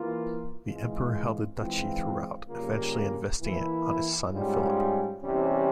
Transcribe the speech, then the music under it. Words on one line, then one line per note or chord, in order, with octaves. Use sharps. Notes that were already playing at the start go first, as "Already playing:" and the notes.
The emperor held the duchy throughout, eventually investing it on his son Philip.
Already playing: E3 A#3 F4
G#2 E3 G#3 C4 F4
E3 G#3 C4 F4
C#3 G3 A#3 F4
E3 A#3 E4
G#2 G3 C#4 F4
E2 C3 G3 C#4